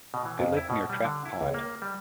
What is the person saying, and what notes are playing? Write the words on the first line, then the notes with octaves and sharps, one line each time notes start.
They lived near Trap Pond.
B2
E3
F2
E4
B2
G3
D3
E4
C#2
A#3
G3